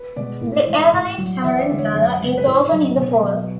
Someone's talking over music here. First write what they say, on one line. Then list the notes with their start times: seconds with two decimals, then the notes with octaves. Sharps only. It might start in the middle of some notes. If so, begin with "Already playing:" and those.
The Evelyn Cameron Gala is often in the fall.
Already playing: B4
0.16 B2 G#3 D5
0.41 A2
0.67 E3 G#3
0.93 A2
1.18 F#3
1.44 E2 E5
1.61 D5
1.69 D3 G#3
1.79 C#5
1.95 F#2
2.20 C#3 G#3
2.38 B4
2.46 A2 A4
2.72 F#3
2.97 B2 B3
3.22 F#3